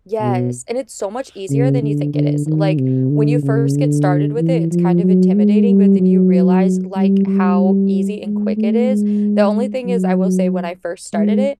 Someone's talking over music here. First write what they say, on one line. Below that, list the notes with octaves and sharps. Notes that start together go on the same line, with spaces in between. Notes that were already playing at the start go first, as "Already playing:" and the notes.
Yes, and it's so much easier than you think it is, like, when you first get started with it, it's kind of intimidating, but then you realize, like, how easy and quick it is, the only thing is- I will say- when I first started it,
B2
C#3
D3
D3
D#3
C3
D3
C#3
D3
E3
F3
F#3
G#3
G3
F#3
G3
G3
G#3
A3
G#3
F#3
G#3